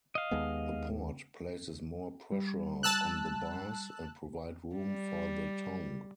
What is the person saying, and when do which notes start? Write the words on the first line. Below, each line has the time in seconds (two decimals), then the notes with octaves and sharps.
A port places more pressure on the bars, and provide room for the tongue.
0.15 D#5 F5
0.31 D#2 G#3 B3
2.32 G3
2.83 A5 E6 F#6
4.76 G3